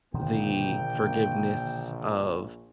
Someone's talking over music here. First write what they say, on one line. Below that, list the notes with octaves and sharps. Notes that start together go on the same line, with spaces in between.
the forgiveness of
A#1 B2 D3 D#3 A#3 G5